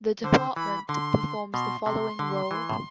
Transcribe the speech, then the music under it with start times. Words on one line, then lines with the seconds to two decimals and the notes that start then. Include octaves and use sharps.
The Department performs the following role.
0.24 D3 C5
0.56 E3 B5
0.89 D3 C6
1.54 B2 C6
1.86 C3 C6
2.19 D3
2.51 E3
2.70 A2